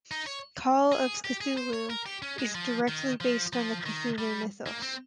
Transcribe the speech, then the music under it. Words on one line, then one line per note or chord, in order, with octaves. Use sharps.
"Call of Cthulhu" is directly based on the Cthulhu Mythos.
D#4
C#5
G#4
G4
G#4
C5
C#5
A#4
G4
C#4
G#3
F3
D#3
F3
F3
D#3
G3
A#3
C4